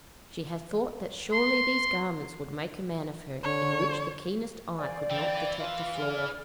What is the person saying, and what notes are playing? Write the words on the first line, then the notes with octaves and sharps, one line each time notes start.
She had thought that surely these garments would make a man of her in which the keenest eye could not detect a flaw.
C6
D3 C#5
C5 D5 F5 G#5
E3 G5
F4 B4 F5 G#5
G#4 D5 F6